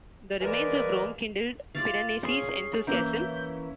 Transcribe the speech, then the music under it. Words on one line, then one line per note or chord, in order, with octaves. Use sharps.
The remains of Rome kindled Piranesi's enthusiasm.
E3 G#3 A#3 A#4 B4 D5
F4 D5 F5 A6
C#4 G#4 C7
E3 A#3 C#4 E4 G6